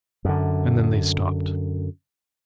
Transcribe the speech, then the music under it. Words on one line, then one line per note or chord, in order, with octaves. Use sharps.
And then they stopped.
F#2 D3